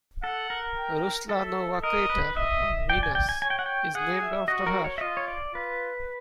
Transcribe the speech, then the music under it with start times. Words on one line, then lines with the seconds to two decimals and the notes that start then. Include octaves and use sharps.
Ruslanova crater on Venus is named after her.
0.23 A4 F#5
0.50 A#4
0.76 G5
1.29 A4 E5
1.83 A#4 D#5
2.10 B4
2.37 D#5 E5
2.89 D5 G5
3.03 G#5
3.15 G5
3.29 G#5
3.42 C#5 G#5
3.50 G5
3.59 F#5
3.66 G5
3.95 G#4 F#5
4.23 E5
4.48 F#4 D#5
4.66 A#4
4.84 C#5
4.98 E5
5.01 F4 D#5
5.17 C#5
5.28 D5
5.54 F4 B4